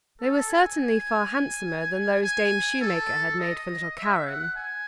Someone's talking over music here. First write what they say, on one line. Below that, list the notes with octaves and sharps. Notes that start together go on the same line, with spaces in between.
They were certainly far handsomer than those Dame Shoemaker had made for little Karen.
A4
G#5
G#5
A4
D#5
E5
F#5
G#5